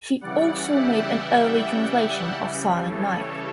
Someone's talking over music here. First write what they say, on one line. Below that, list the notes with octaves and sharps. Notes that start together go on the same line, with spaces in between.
She also made an early translation of Silent Night.
C#3 E3 G3 D5 F#5
E5 G5
D5 F#5
C#3 E3 G3
A4 C#5